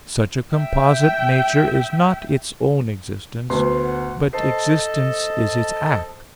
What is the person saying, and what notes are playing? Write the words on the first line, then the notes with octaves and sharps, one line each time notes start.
Such a composite nature is not its own existence but existence is its act.
E5 G5
D2 B3 C6
F#5
A4 C5 D#5 A5 C7